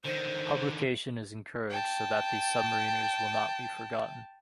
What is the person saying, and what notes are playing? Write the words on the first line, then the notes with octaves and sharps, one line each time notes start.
Publication is encouraged so that these submariners will not be forgotten.
D3 D#3 C5
G5 A5